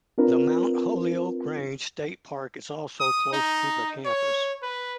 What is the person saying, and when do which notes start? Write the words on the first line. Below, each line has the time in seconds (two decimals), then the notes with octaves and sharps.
The Mount Holyoke Range State Park is also close to the campus.
0.18 C4 D4 F4 A#4 B4
3.00 D#6
3.33 D#4
4.05 C#5
4.62 B4